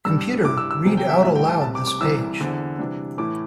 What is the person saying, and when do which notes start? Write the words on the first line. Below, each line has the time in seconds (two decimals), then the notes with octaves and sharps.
Computer, read out aloud this page.
0.05 G2 G3 D4 E6
0.44 G2 G3 E4 D6
0.58 E6
0.71 E6
0.84 E2 C3 G3
0.97 G5
1.09 E5
1.22 A2 E3 G3 E4 E5
1.36 G5
1.48 A5
1.61 C2 C3 G3 A5
1.75 D6
1.87 D6
2.00 C2 C3 E3 C4 E4 E6
2.41 E2 D3 C4 E4
2.79 C3 E3 G3 D4
3.18 A2 E3 A3 E4 D6